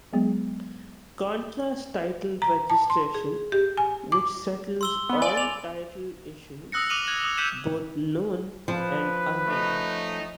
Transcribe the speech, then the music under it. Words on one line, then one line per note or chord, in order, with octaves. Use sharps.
Contrast title registration which settles all title issues, both known and unknown.
F#3 G#3 B3 G#4
A#5
A5
C6
G#4
G4
G#5
D6
C6 E6 G7
B3
D5 G#5
F7
D#6 E6 F#6 A#6 C#7
D6 D#6 F6 D#7 F7
F#6 G#6
D#6
E6 F#6 G6 B6 D#7 E7
F3 B4
A3 C#4 D#4